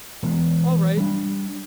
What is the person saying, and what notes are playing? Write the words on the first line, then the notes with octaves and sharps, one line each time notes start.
All right.
E1 E2 G#3
G3 D4